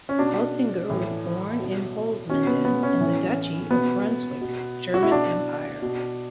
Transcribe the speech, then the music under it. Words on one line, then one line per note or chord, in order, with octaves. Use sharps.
Heusinger was born in Holzminden, in the Duchy of Brunswick, German Empire.
C#4
B2 D4
A2 E3
B2
B2 C#4
B3
B3
C#4
A2 E3
B2 B3
B2
F#4
E4
B2 D4
B2